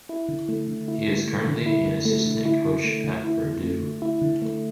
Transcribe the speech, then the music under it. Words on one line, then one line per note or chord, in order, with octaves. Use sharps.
He is currently an assistant coach at Purdue.
E4
D3
A3
D3
E4
D3
A3
D3
E4
D3
A3
D3
E4
D3
A3
D3
E4
D3
A3
D3
E4
D3
A3